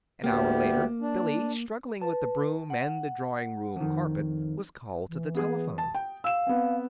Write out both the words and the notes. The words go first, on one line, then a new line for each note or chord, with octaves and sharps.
An hour later Billy, struggling with the broom and the drawing-room carpet, was called to the telephone.
D2 A#3 B3 G4
D4
B4 A5
F#5
F2 D#3
E3
B3 G#4 D#6
A5
G5
F5 E6 E7
B3 C4